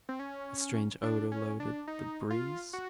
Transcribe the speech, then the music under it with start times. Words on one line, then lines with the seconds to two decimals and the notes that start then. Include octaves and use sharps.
A strange odor loaded the breeze.
0.09 C4
0.19 C#4
1.03 D4
1.32 C#4
1.60 D4
1.87 D#4
2.30 F4
2.73 F#4